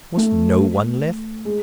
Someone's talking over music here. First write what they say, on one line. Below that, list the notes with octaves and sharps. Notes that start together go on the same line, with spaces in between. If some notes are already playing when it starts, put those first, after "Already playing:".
Was no one left?
A3
G#3